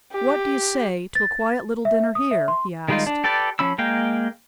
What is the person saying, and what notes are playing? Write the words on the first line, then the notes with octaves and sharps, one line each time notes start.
"What do you say to a quiet little dinner here?" he asked.
G4
A6
E5
D#6
E5
C6
D#3 G3 G#3 D#4 F4
D4
G4 A4 B4 D5
F3 C#4 B5 E6
G#3 A#3 F5 G5